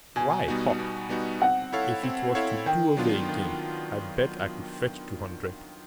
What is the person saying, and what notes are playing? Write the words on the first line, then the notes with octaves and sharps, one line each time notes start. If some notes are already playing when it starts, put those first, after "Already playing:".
Why, Huck, if it was to do over again, I bet I could fetch two hundred!
B2 G#5
G3 B3 D#4 F#4
B2
G3 B3 D#4 F#4
C4 F#5
E4 A4 C#5 F5
C4
E4 A4 C#5 F5
D#3 G5
F#3 B3 D4 F4
D#3